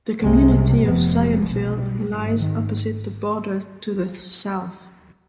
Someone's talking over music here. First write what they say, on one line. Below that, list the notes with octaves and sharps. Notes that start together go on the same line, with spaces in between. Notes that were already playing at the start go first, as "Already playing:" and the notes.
The community of Zionville lies opposite the border to the south.
C2 C3 G#3
F1 F2 C3 B3
G#3
B1 B2
G3
G#1 G#2
D#3